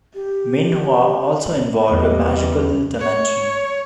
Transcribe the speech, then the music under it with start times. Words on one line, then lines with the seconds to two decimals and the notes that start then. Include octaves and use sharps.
Minhwa also involved a magical dimension.
0.15 G4
1.89 E2 G3 D#5
2.99 C#5